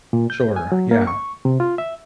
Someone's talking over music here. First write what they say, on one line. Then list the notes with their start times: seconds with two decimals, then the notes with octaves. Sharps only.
Sure. Yeah.
0.13 A#2
0.30 G6
0.56 G#5
0.72 F#3
0.91 A#3
1.07 C#6
1.45 C3
1.60 F4
1.78 E5